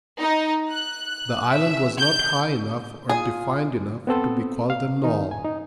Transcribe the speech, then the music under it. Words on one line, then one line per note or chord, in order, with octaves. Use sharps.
The island was not high enough or defined enough to be called a knoll.
D#4
F#6
E5
G6
F4 G#4 G#5
B3 C4 A4 C5
F5
D#3 D#4
G#5
D#4